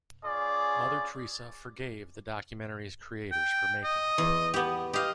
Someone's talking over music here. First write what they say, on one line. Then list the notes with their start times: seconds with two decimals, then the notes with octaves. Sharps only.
Mother Teresa "forgave" the documentary's creators for making it.
0.25 C#4 F4 G#4 D5
3.32 G5
3.84 D#5
4.18 E2
4.54 B3 G4
4.93 G4 D#5 F5